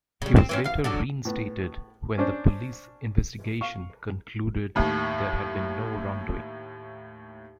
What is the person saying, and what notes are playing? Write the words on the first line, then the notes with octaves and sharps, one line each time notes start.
He was later reinstated when the police investigation concluded there had been no wrongdoing.
C#3 G3
C4
E3 C4 C#4
E2 F5
D3 F#3 D4
A2 B3
C#4 D4 C5
F5 C#6
D#2 A2